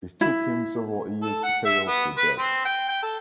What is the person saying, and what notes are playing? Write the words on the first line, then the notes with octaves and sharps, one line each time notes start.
It took him several years to pay off the debt.
E4
A4
F#5
E5
B3
B4
C4
G5
G5
A4